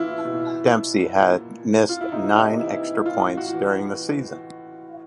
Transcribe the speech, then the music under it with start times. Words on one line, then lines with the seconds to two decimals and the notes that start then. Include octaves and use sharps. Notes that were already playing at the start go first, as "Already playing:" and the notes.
Dempsey had missed nine extra points during the season.
Already playing: A2 E3 E4 F4
0.25 B2
1.18 A#2
1.89 F4
2.01 E4
2.12 C3 D#4
2.59 E3 E4
3.05 A2 F4
3.37 F#4
3.53 E3